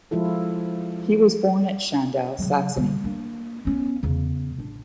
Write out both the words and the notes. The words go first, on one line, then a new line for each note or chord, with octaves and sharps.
He was born at Schandau, Saxony.
F3 G#3 E4 F4 A4
C#3 F#3
D3 G3
A#3 D4
B3 C#4
E2 C#3
A1 D4